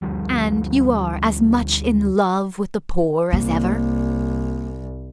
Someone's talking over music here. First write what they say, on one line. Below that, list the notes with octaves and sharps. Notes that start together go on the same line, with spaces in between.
"And you are as much in love with the poor as ever?"
D2 F3 G3
C2 A#3